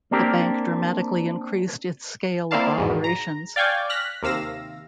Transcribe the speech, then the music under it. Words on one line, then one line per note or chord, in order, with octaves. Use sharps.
The bank dramatically increased its scale of operations.
A#3 C4 D4 G4 A#4
A#3 C4 E4 D5 F5 A5
E2 G#2 B2
A#5
D5 F5 G5 G#5 C#6 D6
F6 F#6 A#6 B6
D#2 C3 F5 E6 A#6